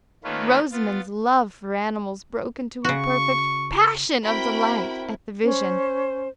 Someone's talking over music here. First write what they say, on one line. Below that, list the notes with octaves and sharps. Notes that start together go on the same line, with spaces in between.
Rosamond's love for animals broke into a perfect passion of delight at the vision.
D#3 A3 A#3 C#4 F4 B4
B3 F4 A6
C#3 F#4 C#6
C4 E4 F#4 A#4 G5 B5
C#4 C5